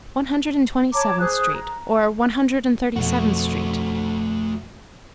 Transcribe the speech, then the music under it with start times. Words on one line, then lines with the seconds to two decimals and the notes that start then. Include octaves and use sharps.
One Hundred and Twenty-seventh Street--or One Hundred and Thirty-seventh Street....
0.93 C#5 A5 A#5 D6
1.20 G#4 C5 D#6 F#6
1.54 A#5
2.96 F2 B2 A3 F#4